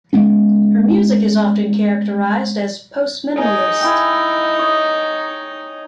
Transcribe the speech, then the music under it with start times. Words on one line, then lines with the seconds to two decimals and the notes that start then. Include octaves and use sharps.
Her music is often characterized as postminimalist.
0.13 G#3 B3 C#4
3.38 D#4 G#4
3.81 E4 D#5 G5
4.59 C#5 D#5